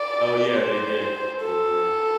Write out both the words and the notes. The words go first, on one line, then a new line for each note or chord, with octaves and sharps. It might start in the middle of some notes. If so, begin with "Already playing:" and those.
Oh, yeah. They did, they did, if
Already playing: D5
C5
A4